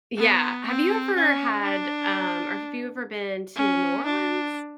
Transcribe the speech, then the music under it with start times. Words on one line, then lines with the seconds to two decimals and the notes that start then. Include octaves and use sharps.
Yeah. Have you ever had, um, or have you ever been to New Orleans?
0.17 B3
0.67 C4
1.15 C#4
1.63 D4
3.57 C#4
4.05 D4